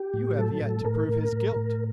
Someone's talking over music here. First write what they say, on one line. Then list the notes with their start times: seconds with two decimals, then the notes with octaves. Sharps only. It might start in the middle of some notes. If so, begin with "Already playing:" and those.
"You have yet to prove his guilt."
Already playing: G4
0.14 A2
0.38 F#3 A4
0.61 A2
0.85 A2 A#4
1.09 A2
1.32 A2
1.56 A2